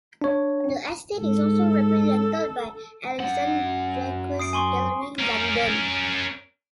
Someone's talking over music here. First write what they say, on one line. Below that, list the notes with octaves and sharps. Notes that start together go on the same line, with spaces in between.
The estate is also represented by Alison Jacques Gallery, London.
D4 C#5
G#2 A4
F#2 F#5
D#6 C7 D7
G#5 C6 C#6
C#4 A#4